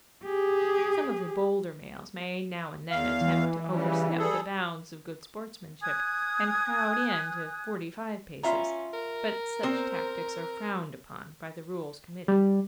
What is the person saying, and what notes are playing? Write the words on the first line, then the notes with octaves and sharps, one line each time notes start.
Some of the bolder males may now and then attempt to overstep the bounds of good sportsmanship and crowd in to forty-five paces, but such tactics are frowned upon by the Rules Committee.
G4 G#4
E2 F5
E3
C#3 G3
G3 G#4 A4
G#5 D#6 F#6 G#6
C#4 F4 E5 A#5
A#4
C4 C5
G3